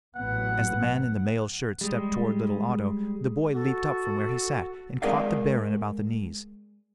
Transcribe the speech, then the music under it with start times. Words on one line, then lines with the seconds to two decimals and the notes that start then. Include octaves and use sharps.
As the man in the mail shirt stepped toward little Otto, the boy leaped up from where he sat and caught the Baron about the knees.
0.16 A1 F#3 B3 F#5
1.81 G3 G#3
3.54 F#4 A4
5.02 G#3 G#4 A#4 D5 D#5 F5